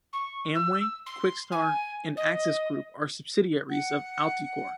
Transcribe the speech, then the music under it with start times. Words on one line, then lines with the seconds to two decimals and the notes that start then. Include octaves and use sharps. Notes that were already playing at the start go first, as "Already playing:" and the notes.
Amway, Quixtar, and Access Group are subsidiaries of Alticor.
0.12 C#6
0.54 E6
1.06 C6
1.51 G#5
2.16 D#5
3.69 F#5